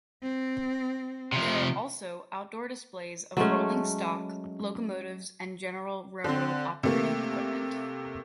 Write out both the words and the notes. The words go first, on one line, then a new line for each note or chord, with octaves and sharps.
There are also outdoor displays of rolling stock, locomotives and general railroad operating equipment.
C4
C3 F3
F#3 G#3 A3 C#4
D3 C4
C3 A3 A#3